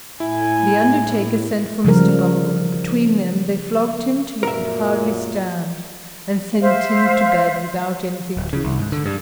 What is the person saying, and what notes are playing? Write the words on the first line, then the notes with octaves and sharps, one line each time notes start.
The undertaker sent for Mr. Bumble, and between them they flogged him till he could hardly stand and sent him to bed without anything to eat.
A2 E4 G#5
C#3 F3 G3 A#4
F#2 A#2 A#4 E5
C5 E5 F5
D1
C#3
C2
G#2
D3
G2